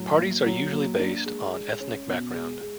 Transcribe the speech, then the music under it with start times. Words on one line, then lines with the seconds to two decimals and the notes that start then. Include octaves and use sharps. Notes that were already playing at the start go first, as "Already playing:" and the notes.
Parties are usually based on ethnic background.
Already playing: A2 F#3
0.18 A#3
0.46 F#3
0.72 A#3
1.00 D4
1.26 G#3
1.54 G#3
1.80 C#4
2.08 B2
2.34 G#3
2.61 G#3